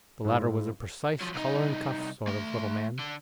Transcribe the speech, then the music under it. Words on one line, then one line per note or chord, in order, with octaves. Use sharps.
The latter was a precise, collar-and-cuffs sort of little man.
G#2 E4 F4
F3 F#3
C2 D#4
A3 C6
D3